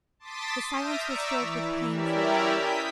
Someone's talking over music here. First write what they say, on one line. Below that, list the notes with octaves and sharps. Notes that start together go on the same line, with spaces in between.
The silence was filled with pain for him.
A5 C6 D6 D#6 A6 B6
E5 D#6 F6 G6 A#6 D7
D5 E5 A#5 C#6 D6 E6
E3
C#4 E4 G4 A#4 D5 E5
D#6 G6 B6